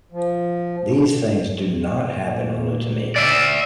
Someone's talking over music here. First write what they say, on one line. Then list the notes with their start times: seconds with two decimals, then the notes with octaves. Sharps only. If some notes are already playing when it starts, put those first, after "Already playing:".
These things do not happen only to me.
0.12 F3
2.04 A#2
3.16 D5 E5